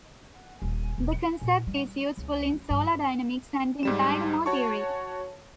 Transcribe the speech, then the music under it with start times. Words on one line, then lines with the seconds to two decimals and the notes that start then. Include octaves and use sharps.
The concept is useful in solar dynamics and in dynamo theory.
0.62 D#1
0.98 E1
1.15 G#3
1.41 A#2
1.67 G3
2.17 C#2
2.53 C#4
2.70 G2
3.83 G#2 G3 E7
4.46 F#4 C#5 A5 C#6